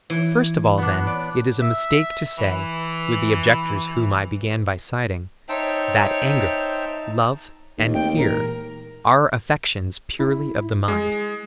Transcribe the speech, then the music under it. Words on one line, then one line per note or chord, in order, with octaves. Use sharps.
First of all, then, it is a mistake to say, with the objectors whom I began by citing, that anger, love and fear are affections purely of the mind.
E3
B3 D4
D5
E5
E3
D#4 C5 C#5 E5 G5 A5
D#2
D2 A3 C4 G5
A#2 E3 G#3 A#4
E4
G#3